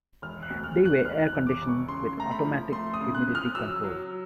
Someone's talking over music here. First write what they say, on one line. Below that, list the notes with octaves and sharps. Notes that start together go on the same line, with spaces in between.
They were air-conditioned with automatic humidity control.
E1 F6
F#6
D2
F6
D2
F#6
E1 F6
F#6
E1
D6
E1
C#6
C#3 C6
A3 A#5
B5
F3
A3 C6
D#6
C#3
F#6
F3
F6
F#3 E6
F#3